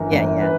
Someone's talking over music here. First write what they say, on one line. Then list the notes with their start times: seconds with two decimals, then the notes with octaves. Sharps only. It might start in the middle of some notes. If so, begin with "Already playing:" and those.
Yeah, yeah.
Already playing: G1 E3 A#4
0.12 G1
0.41 B4